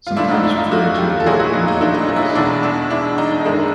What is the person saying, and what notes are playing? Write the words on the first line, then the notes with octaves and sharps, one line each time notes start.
Sometimes referred to as an angle brace.
F4
G#2 F3 A3 D4 E4
D#4
D4 E4
D#4 F4
E4 F#4
F4 G4
A4
A#2 F#3 A3 F#4 G#4
E4 F#4
D#4 F4
D#4
D4 E4
D#4
D#4
E4
D#4
E2 B2 G#3 D4 E4
D4 E4
D4 E4
D#4
D#4
F#2 D#3 G#3 D4 E4